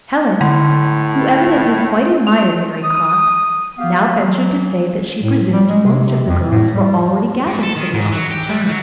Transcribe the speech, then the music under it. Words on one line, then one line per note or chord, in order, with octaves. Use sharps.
Helen, who evidently quite admired Mary Cox, now ventured to say that she presumed most of the girls were already gathered for the Autumn term.
A2 D3
F7
D#6
B3 G4 F5
E3 F#3
A2
G3
G#3
C3
C3
F2
A2
G3
G3
G#2
A4
D#3
G#2
F#3
G4
G3
F#3